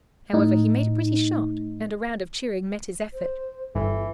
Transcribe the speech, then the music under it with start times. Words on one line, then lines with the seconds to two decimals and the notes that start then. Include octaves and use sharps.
However, he made a pretty shot, and a round of cheering met his effort.
0.33 A2 D#4
3.14 C5
3.75 G1 E3 A4